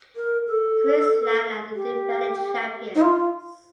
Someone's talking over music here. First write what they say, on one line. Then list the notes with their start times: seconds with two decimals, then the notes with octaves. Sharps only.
Queensland are the defending champions.
0.16 A#4
0.47 A4
1.75 G4
2.95 D#4
3.01 F4